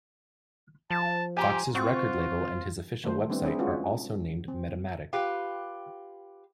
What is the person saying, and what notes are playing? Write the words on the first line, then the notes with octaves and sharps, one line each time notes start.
Foxx's record label and his official website are also named Metamatic.
F3 A5
G4 G#5 A#5 C6
C4 F4 F#4 C#6
D#3 G3 A3 C5
G3 B3 C4 D4 E4
C4 D4 E4 G#4
G#3 C#4 F4 F#4 B4
C4
F4 G4 B4